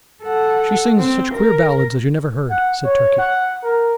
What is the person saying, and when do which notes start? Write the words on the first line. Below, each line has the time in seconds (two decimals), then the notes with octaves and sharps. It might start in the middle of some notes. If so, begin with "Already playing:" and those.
"She sings such queer ballads as you never heard," said Turkey.
0.22 A4 F#5
0.97 C4
1.34 A#4
2.50 F#5
2.84 C#5
3.18 F#5
3.63 A#4